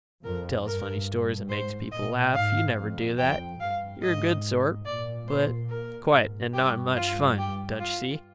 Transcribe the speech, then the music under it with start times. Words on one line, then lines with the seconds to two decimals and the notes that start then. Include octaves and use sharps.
She tells funny stories and makes people laugh; you never do that--You're a good sort, but quiet and not much fun, don't you see?
0.24 F2 A#4
0.66 G2 A#4
1.49 G#2 C5
1.92 A#2 D#5
2.34 G#2 F5
2.75 F2
3.18 F2 G5
3.60 G2 F5
4.02 G#2 D#5
4.86 A#2 D5
5.28 C5
5.70 A#4
6.12 G#2
6.53 G2 G4
6.96 F4
7.38 G4
7.80 F4